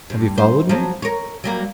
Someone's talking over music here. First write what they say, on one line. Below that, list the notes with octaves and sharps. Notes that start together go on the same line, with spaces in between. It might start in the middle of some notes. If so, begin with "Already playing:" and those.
Have you followed me?
G2
C5
F3 F#3
A#4 C#5
F#3 G3 A#3